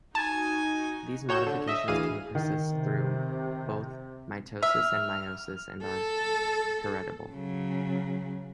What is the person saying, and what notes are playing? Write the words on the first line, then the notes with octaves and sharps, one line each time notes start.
These modifications can persist through both mitosis and meiosis and are heritable.
D#4 F#4 G#5 A5
F#4 C#5 G6 E7
D3
D#5 E5
D2 E3 G#4 F5 D#7
D#3
C3
E5 F6
A4
C#3 F#3